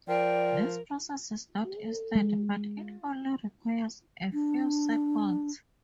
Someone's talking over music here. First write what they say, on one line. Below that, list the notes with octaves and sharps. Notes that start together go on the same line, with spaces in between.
This process is not instant, but it only requires a few seconds.
F3 A#4 D5 G5
G#3
D4